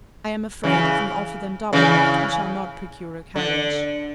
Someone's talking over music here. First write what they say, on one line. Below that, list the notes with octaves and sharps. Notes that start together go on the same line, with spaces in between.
"I am afraid if we offer them double that we shall not procure a carriage."
C#3 E3
C#3 E3
D3